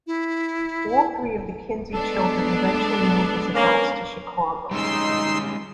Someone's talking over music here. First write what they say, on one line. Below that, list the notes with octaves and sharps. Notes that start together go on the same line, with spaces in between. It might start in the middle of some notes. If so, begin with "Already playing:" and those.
All three of the Kinzie children eventually moved as adults to Chicago.
E4
G#3 B3 D4 A4
A#3 C#4
G3 G#3 C#4 D#4 C6 E6